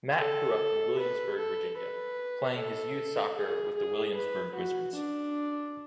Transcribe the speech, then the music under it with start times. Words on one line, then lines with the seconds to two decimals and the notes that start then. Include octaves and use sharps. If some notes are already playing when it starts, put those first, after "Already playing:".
Matt grew up in Williamsburg, Virginia playing his youth soccer with the Williamsburg Wizards.
0.19 A4
0.98 B4
1.37 A4
1.77 B4
2.57 A4
3.36 G#4
3.76 G#4
4.16 B4
4.55 F#4
4.95 D4